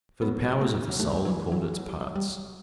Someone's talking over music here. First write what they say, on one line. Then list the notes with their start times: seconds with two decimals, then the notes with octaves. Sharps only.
For the powers of the soul are called its parts.
0.22 F#3 B3
0.61 A3
0.89 F#3
0.99 G2 G3 A3
1.25 E3 F#3
1.51 E3 F#3
1.78 F#3
1.88 G3
1.99 F#3
2.15 G3